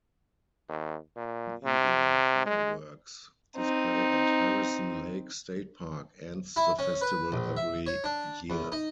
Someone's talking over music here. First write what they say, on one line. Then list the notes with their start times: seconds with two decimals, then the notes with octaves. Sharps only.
An evening fireworks display at Harrison Lake State Park ends the festival every year.
0.69 D#2
1.17 A#2
1.65 C3
2.46 G#3
3.57 C4 D#4
6.56 E4
6.79 C#4
7.01 B4
7.32 A#1
7.57 E5
7.86 C#5
8.04 D4
8.50 E2
8.72 D#4